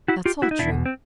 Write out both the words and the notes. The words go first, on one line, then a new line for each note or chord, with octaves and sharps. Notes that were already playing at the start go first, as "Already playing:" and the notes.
That's all true.
E4 F#4
F4 G4
E4 F#4
D#4
E2 B2 D4 E4
C4